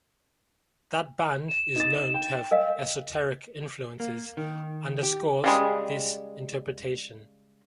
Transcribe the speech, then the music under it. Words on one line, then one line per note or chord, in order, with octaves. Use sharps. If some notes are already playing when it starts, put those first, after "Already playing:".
That the band is known to have esoteric influences underscores this interpretation.
E7
D#4 A6
G5
A#4 D#5 F5
A#3
D#3
G4
C#3 G3 G#3